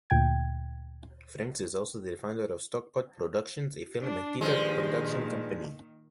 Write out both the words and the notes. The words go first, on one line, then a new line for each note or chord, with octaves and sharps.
Franks is also the founder of Stock-pot Productions, a film and theatre production company.
D2 A#2 G5 G#6
D4
G2 A#2 D#3 F3 G#3